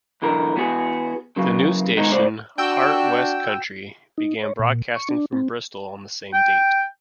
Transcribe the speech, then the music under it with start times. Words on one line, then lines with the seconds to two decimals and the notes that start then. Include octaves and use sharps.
The new station, "Heart West Country", began broadcasting from Bristol on the same date.
0.22 B1 D3 E3 A#4
0.56 E3 B3 F#4 G#4
1.36 C#3 E3 F#3 A#3
1.97 B2 D#3 G#3 D#4 F#4 A#4
2.12 C#2 A2 C#3 C5 D5
2.58 D4 F#4 G5 E6
4.18 D#4
4.43 C#5
4.59 A#2
4.96 C#6
5.09 D4
5.33 C4
6.33 G5